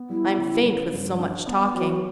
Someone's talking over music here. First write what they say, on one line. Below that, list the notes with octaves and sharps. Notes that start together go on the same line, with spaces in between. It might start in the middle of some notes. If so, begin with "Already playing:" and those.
I'm faint with so much talking.
Already playing: B3
G3 E4
C#3
C#3
G2
D4
B3
F#3 F#4